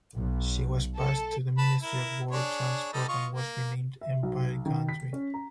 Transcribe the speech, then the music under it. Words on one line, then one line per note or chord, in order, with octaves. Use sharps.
She was passed to the Ministry of War Transport and was renamed "Empire Gantry".
B1
A4
B4 A5 B5
E4 A#4
D4 G#4 C#5
G3 D#4 A4
F4 D#5 C#6
A#3
E5
B1
D#3
B6
C#4
A#5